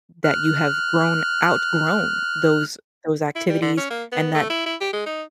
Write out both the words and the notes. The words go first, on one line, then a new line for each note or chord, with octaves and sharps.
that you have grown outgrown those those activities and that
F6 F#6
E4
G3
D3
C#4
A#3
B3
A3
E4
E4
G4
G#3
D#4